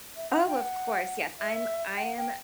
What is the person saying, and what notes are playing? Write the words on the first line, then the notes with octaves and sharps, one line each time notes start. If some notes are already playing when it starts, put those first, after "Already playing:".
Oh, of course, yes, I'm I am,
E5
F#5
G5
F#5
E5
G5
F#5
G5